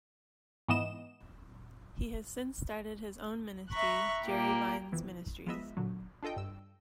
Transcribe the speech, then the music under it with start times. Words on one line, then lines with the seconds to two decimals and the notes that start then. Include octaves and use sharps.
He has since started his own ministry, Jerry Vines Ministries.
0.68 G#2 E3 B3 D#5 E7
3.71 E5 A#5 B5 C#6 F#6
4.25 A#2 A#3 G4
4.92 F2 B2 E3 F3
5.47 F3 G#3 B3 D#5 E5
5.77 A#2 D3 F#3
6.23 D4 F4 A4 D#5 G5
6.36 G2 E6